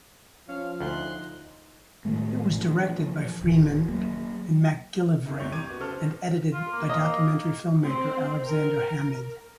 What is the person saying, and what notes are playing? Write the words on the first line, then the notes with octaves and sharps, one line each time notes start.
It was directed by Freeman and MacGillivray, and edited by documentary filmmaker Alexander Hammid.
F3 C#4 F5
D2 D#4 C6 F#6
A2 D#3 G#3 A3
A#2 E3 F3 D4
D1 D#3
F#3 A#3
F#2 C3 D#3 D4
C2 B2 C#6 G6 F7
C#6 D6 G#6 D#7
B3 F#4
C#3 A4 C5 F6 F7
F4
A#3
A#3 D#5
C4
A#4